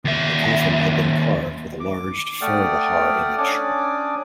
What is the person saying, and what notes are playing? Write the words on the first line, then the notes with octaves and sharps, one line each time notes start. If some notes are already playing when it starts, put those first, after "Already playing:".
The coffin had been carved with a large faravahar image.
D#2 E5
D6
A3 D5 F#5 G5 D#6 F6
C#4 D4 D5 G#5 D6 D#6